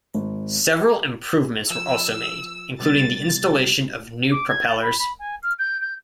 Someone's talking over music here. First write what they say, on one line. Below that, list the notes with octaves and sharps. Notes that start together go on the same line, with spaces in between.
Several improvements were also made, including the installation of new propellers.
G#1
F3 E6
C3 G3 B3 A6
D6
G#6
A6
B5
B5
G#5
F6
G6
G6